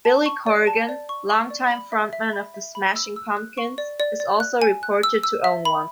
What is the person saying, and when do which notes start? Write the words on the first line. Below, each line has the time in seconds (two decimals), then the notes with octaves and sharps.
Billy Corgan, longtime frontman of The Smashing Pumpkins, is also reported to own one.
0.05 A5
0.26 C#6
0.46 D5
0.67 A5
0.89 D5
1.09 C#6
1.30 C#6
1.50 D5
1.71 B5
1.92 E5
2.13 E5
2.33 B5
2.54 E5
2.75 B5
2.96 E6
3.16 E6
3.37 F#6
3.58 C#6
3.78 D5
4.00 D5
4.20 D5
4.40 F#6
4.62 G#5
4.83 F#6
5.03 E6
5.23 E6
5.44 E5
5.65 B5